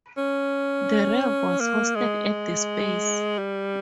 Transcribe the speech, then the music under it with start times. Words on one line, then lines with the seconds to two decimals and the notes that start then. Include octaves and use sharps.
The rave was hosted at The SpacE!
0.18 C#4
1.60 A#3
1.96 G#3
3.38 G3